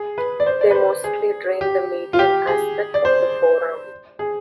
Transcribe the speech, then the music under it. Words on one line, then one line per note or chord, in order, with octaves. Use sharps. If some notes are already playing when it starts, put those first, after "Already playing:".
They mostly drain the medial aspect of the forearm.
Already playing: G#4
B4
D5
C5
D5
B4
C5
G#4
G4
F4
G4
G#4
D5
C5
G#4